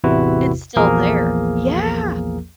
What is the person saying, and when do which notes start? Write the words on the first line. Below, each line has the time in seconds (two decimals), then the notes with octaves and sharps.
It's still there, yeah.
0.04 A1 E2 C3 E4 F#4 B4
0.76 A#1 E2 F3 A#3 G#4 A#4